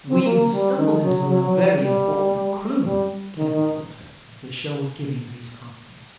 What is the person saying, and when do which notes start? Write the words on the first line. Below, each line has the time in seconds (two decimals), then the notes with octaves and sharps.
"We've stumbled into a very important clue," Kennedy told her, with a show of giving her his confidence.
0.08 C4
0.25 A#3
0.51 G3
0.77 D#3
1.03 F#3
1.28 F#3
1.46 F#3
1.80 G3
2.83 G3
3.35 D#3
3.52 D#3